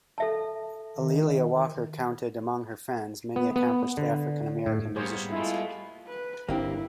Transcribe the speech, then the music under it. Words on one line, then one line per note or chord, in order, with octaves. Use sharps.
A'Lelia Walker counted among her friends many accomplished African American musicians.
A4 E5 A5
D#3
B3
B3
D3
A2
G3 A#3 B3 G#4 C5 C#5
G#3 A3 E4 F4
B4
G1 A#3 C4 D4 E4 G4